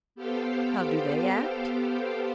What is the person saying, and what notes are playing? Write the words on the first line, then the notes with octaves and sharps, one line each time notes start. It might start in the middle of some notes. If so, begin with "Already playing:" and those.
How do they act?
B3 G4 A4 C5 F5 G5